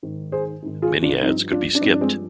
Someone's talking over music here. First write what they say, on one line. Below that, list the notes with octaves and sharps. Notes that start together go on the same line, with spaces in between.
Many ads could be skipped.
G#2 D#3
G#4 C5
G#2 D#3
F4 G#4
D4 F4
G2 F3 C4 D#4
D4 F4
D4
G2 F3 C4 D#4
D4
G#3 C4